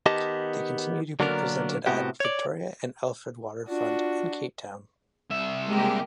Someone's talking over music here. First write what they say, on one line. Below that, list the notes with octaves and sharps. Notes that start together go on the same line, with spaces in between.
They continue to be presented at Victoria and Alfred waterfront in Cape Town.
D#3 B3 G4 D#5 A5
D3 F#3 A#3 B3 D4 A#4
A2 C3 B3 F#4 G4
C#5 D5
D4 F4 F#4
C2 E5
G#3 A#3 G4